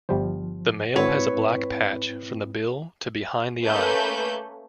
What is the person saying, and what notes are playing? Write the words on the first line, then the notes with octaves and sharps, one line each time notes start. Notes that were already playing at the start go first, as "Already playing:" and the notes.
The male has a black patch from the bill to behind the eye.
G1 F3 G3 C5
G#2 C4 E4 F#4 B4 C#5
A3 A#3 C#4 A4 B4 G6